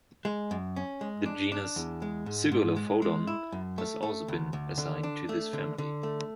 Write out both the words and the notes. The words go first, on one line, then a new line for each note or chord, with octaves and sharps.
The genus "Zygolophodon" has also been assigned to this family.
G#3
F#2
C#4
G#3
D4
D4
E2
G#3
G#2
G#2
G#3
G#3
E4
F#2
A3
A3
D2
D2
D3
D4
A3
D3
D3
A3